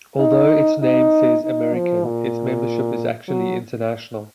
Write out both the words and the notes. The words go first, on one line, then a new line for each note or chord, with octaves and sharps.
Although its name says American, its membership is actually international.
D#4
D#4
D#4
F3
A#2
F#3